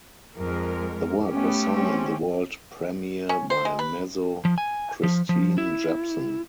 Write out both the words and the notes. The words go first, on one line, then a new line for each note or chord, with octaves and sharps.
The work was sung in the world premiere by mezzo Kristine Jepson.
F2 G#3 A#4
A3 B3 C#4 G4
C4 C#4
C#4
C5
G#3
B4
F3
G#5
F3
F3
E4